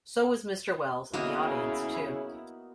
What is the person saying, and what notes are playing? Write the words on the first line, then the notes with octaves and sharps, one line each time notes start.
So was Mr. Welles, and the audience, too.
C#3 A#3 B3 D#4 E4 F#4